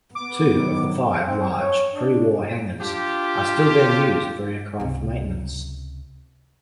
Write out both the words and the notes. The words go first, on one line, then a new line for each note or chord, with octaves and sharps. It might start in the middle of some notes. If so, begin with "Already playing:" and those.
Two of the five large pre-war hangars are still being used for aircraft maintenance.
B3 D6
C3 D#3 F#3
C4
C#5
D4
D4 F4 G4
C#2 C3